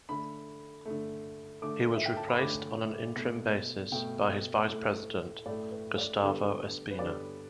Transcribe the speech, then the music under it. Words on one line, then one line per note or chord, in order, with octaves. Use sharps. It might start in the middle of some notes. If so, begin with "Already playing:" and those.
He was replaced on an interim basis by his vice president, Gustavo Espina.
D3 A3 B5
A3
D3
D3 A3 D6
E5
G5
A5
B5
D3 A3 D6
B2 A3
B2 A3 G5
A2 A3
A2 A3 D5
B4
D5
D3 G3 B3
B4
D3 G3 B3 D5